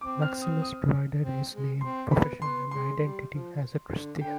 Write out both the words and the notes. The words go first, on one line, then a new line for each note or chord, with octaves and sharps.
Maximus provided his name, profession and identity as a Christian.
C4 D6
F6
D#6
D#6
C4
G#3
C4 C6
B3 B5
B3 C6
G#3 C6
G3
F3
D3
D3 G5